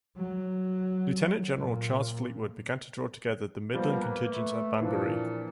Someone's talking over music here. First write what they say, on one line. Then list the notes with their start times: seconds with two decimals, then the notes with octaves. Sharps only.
Lieutenant-General Charles Fleetwood began to draw together the midland contingents at Banbury.
0.17 F#3
1.58 A#2
3.74 F3 G3 A#3 B3
4.02 B4
4.30 A3
4.81 A#2 E3 F3 D4